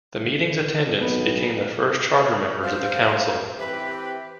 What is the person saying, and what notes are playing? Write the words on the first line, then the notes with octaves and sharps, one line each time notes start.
The meeting's attendants became the first charter members of the Council.
D3
B1 B3 B4
C5 F5
E3 C4 G4 B4